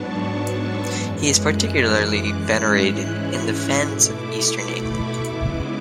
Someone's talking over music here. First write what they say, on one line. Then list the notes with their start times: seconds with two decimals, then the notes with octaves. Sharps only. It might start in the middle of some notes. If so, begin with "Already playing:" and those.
He is particularly venerated in the Fens of eastern England.
Already playing: G#2 F#3 B3 D4 A5 C#6
0.17 C#6
0.55 E6
0.89 F#2 E3 G#3
1.25 F#6
1.61 D6
2.34 G#2 E3 G#3 C#4 E4 F#6
2.70 F#6
3.06 G#6
3.42 E6
3.78 B2 A3 E4 D6
4.13 B5
4.50 B5
4.85 C#6
5.21 C#3 G#3 B3 E4 D6